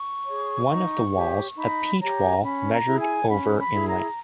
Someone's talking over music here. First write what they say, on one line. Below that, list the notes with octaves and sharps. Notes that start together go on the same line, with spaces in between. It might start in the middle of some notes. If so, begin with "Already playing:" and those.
One of the walls, a peach wall, measured over in length.
Already playing: C#6
G#4 C#5
D#4
G4 C#5
D#4 B5
G4 C#5 A#5
C#4 B5
A#5
E4 G#4
G#5
C#4 B5
B5
E4 G#4
A#5